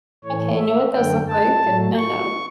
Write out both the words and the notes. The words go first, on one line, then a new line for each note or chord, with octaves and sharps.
Okay, I know what those look like and, um
A2 E3 A3 C#5
E5
F#2 D3 A3 G5
A5
A2 F#3 A3
C#6